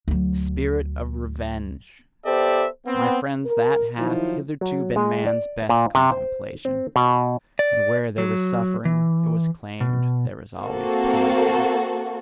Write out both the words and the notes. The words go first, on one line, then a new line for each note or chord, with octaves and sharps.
THE SPIRIT OF REVENGE: my friends, that hath hitherto been man's best contemplation; and where there was suffering, it was claimed there was always penalty.
D2 F#3
B3 G4 A4 C5 D5 E5
B3 C4
A#4
D#3 F3 F#3 D#4 E4
F#3
G#3
D5
A#2
C3
C5
C4
B2
D5
F#3
E3
B2
A#3 C4 F#4 A4